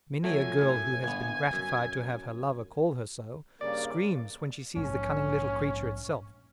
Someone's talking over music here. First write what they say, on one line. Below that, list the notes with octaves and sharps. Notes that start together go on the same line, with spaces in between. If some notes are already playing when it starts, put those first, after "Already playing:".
Many a girl who has been gratified to have her lover call her so, screams when she sees the cunning little creature itself.
F2 F#3 A3 G#5
F#2 A2
G1 B3
F#2
G2 C#3 A#3 D5
A#1 G#2 F#3 C#4